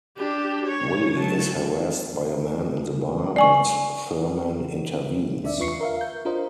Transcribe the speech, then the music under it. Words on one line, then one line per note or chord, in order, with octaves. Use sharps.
Willie is harassed by a man in the bar, but Thurman intervenes.
D4 G4
C#5
F#3 A5
D5 G#5 C#6
D2 D4 D5 E5
E2 F4 B4 C#6 C7 C#7
A#4 E5 F5
G6
D4 F4 A#4 C5 D#5